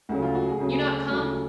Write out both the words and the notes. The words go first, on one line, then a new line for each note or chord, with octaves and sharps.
You not come?
D2 C#3 F#3 F#4
F4
F#4
G#4
D2 C#3 F#3
D2 C#3 F#3